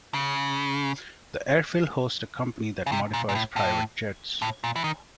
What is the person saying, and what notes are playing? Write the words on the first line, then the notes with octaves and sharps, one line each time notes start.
The airfield host a company that modifies private jets.
C#3
C#3
C3
A#2
A#2
A2
A2
A2
A#2
E3
D#3